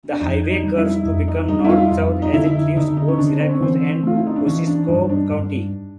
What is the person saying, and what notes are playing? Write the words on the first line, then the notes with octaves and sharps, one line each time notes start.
The highway curves to become north-south as it leaves both Syracuse and Kosciusko County.
D4
F2 D#4
D#4
G3
E4
F2 D#4
D#4
G3 D#4
E4
F4
F2
D#4
D3 E4
D3 D#4
D#4
C#4
D3 D4
C4
C#4
E3 C4
A3 F4
E4
D#4
D4
E3 C#4
D4
G2 D#4
D4
G2